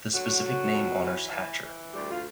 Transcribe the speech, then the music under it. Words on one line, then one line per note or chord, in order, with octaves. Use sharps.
The specific name honors Hatcher.
D3 F#3 F#4
D3
F2
E3
E3
E3
D2 G3 G4
F4